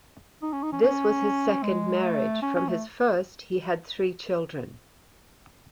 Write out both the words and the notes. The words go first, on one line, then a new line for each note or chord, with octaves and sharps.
This was his second marriage; from his first, he had three children.
D#4
C#4
D#4
C#4
C#4
G#3
A3
C#4
C#4
A3